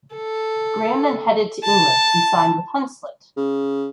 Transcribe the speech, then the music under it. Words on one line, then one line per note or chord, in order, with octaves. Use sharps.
Graham then headed to England and signed with Hunslet.
A4
A5
C#3